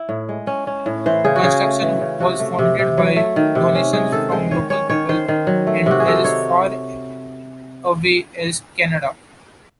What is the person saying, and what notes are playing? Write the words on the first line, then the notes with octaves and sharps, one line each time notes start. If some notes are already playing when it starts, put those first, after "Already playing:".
Construction was funded by donations from local people and as far away as Canada.
Already playing: E4
A2
G#3
C#4
C#4
A2
E3 C5
C#3 G#4
F#4
C#3 G#4
A3
E3
C#3
C3 F#4
A3
C3
C3
F#3
A3
D#3
C3
C#4
G#3 G#4
D#3 A4
G#3 C5
D#3 C#5
C#4 C#5
D#3 C#5
D#3 C5
D#3
F#3
A3
C3 F#4
G#4
C3 A4
C5
D#4 C#5